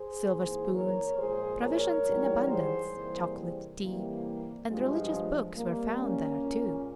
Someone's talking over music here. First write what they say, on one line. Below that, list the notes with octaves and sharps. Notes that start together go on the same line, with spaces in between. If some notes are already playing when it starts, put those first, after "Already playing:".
Silver spoons, provisions in abundance, chocolate, tea, and religious books were found there too.
Already playing: G#4 C5
G#2 E3 A#3
A#4 C#5
A#2 F3 G#3 G#4 C5
A#4 C#5
G#2 E3 G3
G#4 C5
C3 E3 G3 A#3
C3 E3 G3 A#3
G2 F3 G#3
C3 G3 A#3
A#3 C#4
A#2 G#3